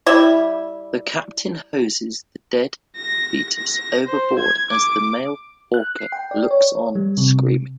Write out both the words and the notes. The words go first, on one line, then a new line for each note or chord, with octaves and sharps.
The captain hoses the dead fetus overboard as the male orca looks on screaming.
G3 E4 E5
A#6
A#6
C5
G#6
D6
F#6
C7
G5
D5
C#5
G3
C3